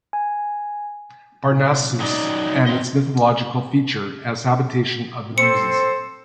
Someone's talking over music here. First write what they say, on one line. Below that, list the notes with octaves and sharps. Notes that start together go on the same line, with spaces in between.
Parnassus and its mythological feature as habitation of the Muses.
G#5
F#3 D#4 D5 D#5
C4 D#5
C4 A4 C5 C#7